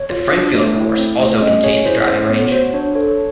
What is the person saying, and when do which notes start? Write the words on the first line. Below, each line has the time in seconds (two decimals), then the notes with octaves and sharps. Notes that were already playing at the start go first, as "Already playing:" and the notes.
The Frankfield course also contains a driving range.
Already playing: C#5
0.10 F4
0.32 D4
0.55 A3
0.76 E4
0.98 C4
1.20 A3
1.42 C#4 D#5
1.64 G#4 C#5
1.85 E4 C5
2.07 C#4 C5
2.29 B3 C#5
2.52 F#4 C5
2.74 D4 C#5
2.95 A4 C#5